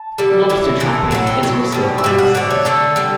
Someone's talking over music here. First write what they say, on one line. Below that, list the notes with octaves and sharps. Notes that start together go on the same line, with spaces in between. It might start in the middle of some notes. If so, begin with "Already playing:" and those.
Lobster trapping is also a common sight.
Already playing: A5
D3 G3
A2 E3
A2 E3 A3
A2 F#3 A3 F#5
G5
A2 F#3
B2 G3
E5
B2 G3 F#5
F#5
D3 A3 D5
C#5
D3 A3 A4
D3 G3